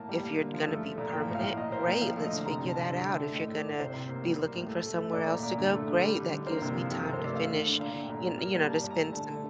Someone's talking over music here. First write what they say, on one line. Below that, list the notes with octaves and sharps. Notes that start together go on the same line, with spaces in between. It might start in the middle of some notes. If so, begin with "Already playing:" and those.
If you're gonna be permanent, great, let's figure that out, if you're gonna be looking for somewhere else to go, great that gives me time to finish, you you know, to spend some
Already playing: A2 A#3 A5
G3
A#3
D3
F3
A3
A3
A#2
F3 G5
A2
F5
A2
A#2 D#5
A#3 C5
A#2 G5
F3 F5
A3
D#5
D3
C3 A#5
C3
A5
C3
D3 A5
A3
G5
A3
A2 D#5
A3
D5
A2
C3 C5
C3
A#3
G3
A#3
A2
A3
A3
A3
A#2 D5
A#2
A#2
D3
A3
D3
G3
D3
D3
A#3 C5
C3
F3
C3 A4
C3 A#4
C5
A3 D5
A3 F5
D3
D3
A#2 F5
A3
G5
A#2
G3
A#3
G3
A#2 A5
A#2
A#5
A3
D3 A5
A3